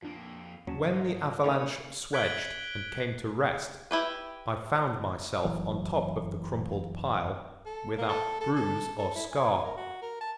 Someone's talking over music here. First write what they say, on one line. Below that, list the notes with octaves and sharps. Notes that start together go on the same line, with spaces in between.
When the avalanche swedged and came to rest I found myself on top of the crumpled pile without bruise or scar.
F2 A#3 D4 F4
D#2 F#3 C#4 G#4 A5
G#2 C#3 E3 F3 D#5
D3 D#3 A3 C#4 C#5 G5 B5
F#6 G#6 B6 D7 F#7 G7
E4 G4 B4
F#1 E3 F#3
A4
A#3
A4
A4
A4
A4
E4
G#5
A#4
F#4
A#4
A5